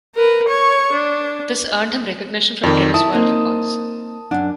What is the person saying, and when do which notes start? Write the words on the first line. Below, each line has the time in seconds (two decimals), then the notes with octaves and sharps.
This earned him recognition from Guinness World Records.
0.15 A#4 B4
0.47 C#5 C#6
0.92 D4
2.63 F2 D#3 D5
2.94 E4 A5 D#6
3.13 A#3 C4 D#4
4.31 F#2 D4 F#5